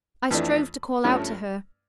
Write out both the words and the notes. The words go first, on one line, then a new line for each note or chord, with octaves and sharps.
I strove to call out to her.
F2 E3 A3 D4
G2 F3 A3 C#4